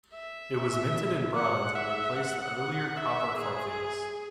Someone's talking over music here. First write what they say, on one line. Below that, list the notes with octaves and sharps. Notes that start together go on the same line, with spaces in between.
It was minted in bronze, and replaced the earlier copper farthings.
E5
F#5
E5
F#5
E5
G#4